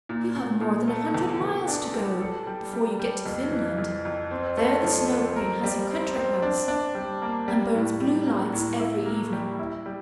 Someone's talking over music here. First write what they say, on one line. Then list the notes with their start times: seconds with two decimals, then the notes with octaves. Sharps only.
You have more than a hundred miles to go before you get to Finland; there the Snow Queen has her country-house, and burns blue lights every evening.
0.09 A#2
0.35 A#2
0.61 A#2
0.88 A3
1.15 E2
1.41 E2
1.68 D4
1.94 G3
2.20 A4
2.47 G3
2.73 G3
2.99 G3
3.26 F2
3.52 E3
3.78 F2
4.05 F2
4.31 C4
4.57 A3
4.84 F3
5.10 C4
5.36 A#4
5.64 G3
5.90 C4
6.16 C4
6.42 D4
6.68 D4
6.95 G3
7.22 A#3
7.48 G3
7.75 A2
8.00 G3
8.27 A#3
8.53 A2
8.80 E4
9.06 A#3
9.33 G3
9.59 E4
9.86 G3